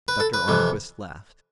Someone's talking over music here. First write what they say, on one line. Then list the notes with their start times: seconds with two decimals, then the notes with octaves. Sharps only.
Dr. Arnquist laughed.
0.08 B4
0.20 A4
0.34 B4
0.48 F2 C3 E3